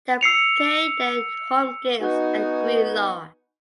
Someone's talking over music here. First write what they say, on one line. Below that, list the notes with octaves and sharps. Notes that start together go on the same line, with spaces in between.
They play their home games at Greenlaw.
E6 C7 C#7 F7
B3 D#4 F#4 G#5